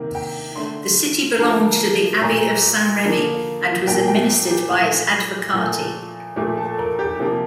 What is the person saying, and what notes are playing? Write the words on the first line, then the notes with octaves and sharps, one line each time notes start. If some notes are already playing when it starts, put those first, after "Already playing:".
The city belonged to the Abbey of Saint-Remi and was administered by its advocati.
Already playing: C3 D#3 A#3
G5
D3 A3 C6
D3 F3 A#3 A#5
A#2 A3 A#5
D3 F3 A#3
A#2 F3 A#3 G5
G5
A#4
G4
A#2 F3 A3
A#2 F3 A3
A#2 F3 A3 G4
A4
A#4
G4
C3 F3 A#3 G4